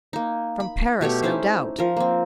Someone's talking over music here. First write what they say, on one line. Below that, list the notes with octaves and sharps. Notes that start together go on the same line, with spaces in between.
From Paris, no doubt.
A#3 D#4
B5
B2 A3 G4 C#5
C#4 D#4 E4 C5
F3 A#4
A#3 C4